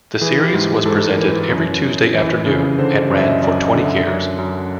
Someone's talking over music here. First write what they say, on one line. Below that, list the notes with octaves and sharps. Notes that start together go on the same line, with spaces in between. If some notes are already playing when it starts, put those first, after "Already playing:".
The series was presented every Tuesday afternoon and ran for twenty years.
E3 G#4
G4
G#2
G#2 A4
A#4
E3
B4
F#2
F#2
E3
C#3
D3 C5
F#2
E5
D#5
F#2 D5
D#5
D3
E5
F#2
F#2